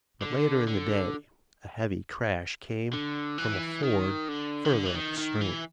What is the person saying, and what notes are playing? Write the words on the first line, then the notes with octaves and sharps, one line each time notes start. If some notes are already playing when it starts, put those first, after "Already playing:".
But later in the day a heavy crash came from a ford further up the stream.
D3
D3
D3
E3
D#3
D3
D#3
D3
E3
D#3
D#3
E3